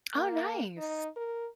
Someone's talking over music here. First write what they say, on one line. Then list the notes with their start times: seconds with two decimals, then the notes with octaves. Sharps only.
Oh, nice.
0.15 A#3
0.78 D#4
1.16 A#4